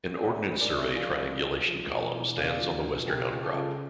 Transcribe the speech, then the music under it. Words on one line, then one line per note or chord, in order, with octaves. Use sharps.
An Ordnance Survey triangulation column stands on the western outcrop.
D5
D2 C#5 E5
D2
A#4 D5
C#3
C#5 E5
F3 D5 F5
D2
D2
F3
E1
E2
C#3 D5 F5
F3
E1
C#2 G4 A#4
C#2
F4 A4
C#3